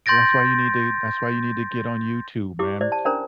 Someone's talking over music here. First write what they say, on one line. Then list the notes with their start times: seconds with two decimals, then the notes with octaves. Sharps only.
Well, that's why you need to that's why you need to get on YouTube, man.
0.06 C6 G6 A6 A#6 D7
2.59 E4 G4 D6
2.81 E4 C5 D5
2.92 A5
3.05 C#4 D4 A#4 C5 A#5